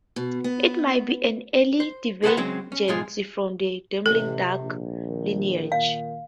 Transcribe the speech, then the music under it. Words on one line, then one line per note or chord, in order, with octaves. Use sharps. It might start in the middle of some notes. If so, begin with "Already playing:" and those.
It might be an early divergence from the dabbling duck lineage.
B2
B3
C5
G#4 A4 B4 C5 F5 F#5
C#3 F#3 G#3 C4
C#4
B1 G#2 G#3 F4 G#4
A1 C3 A4
A#1
D#3
A#2 F5